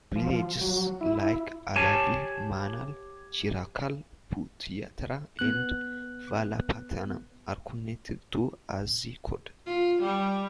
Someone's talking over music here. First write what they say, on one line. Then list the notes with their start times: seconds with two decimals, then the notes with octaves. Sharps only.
Villages like Alavil, Manal, Chirakkal, Puthiyatheru and Valapattanam are connected to Azhikode.
0.16 F3
0.61 F#3
1.01 E4
1.76 G4 C#5 G#5 A5
5.39 B3 F#6
9.67 F4
10.02 G3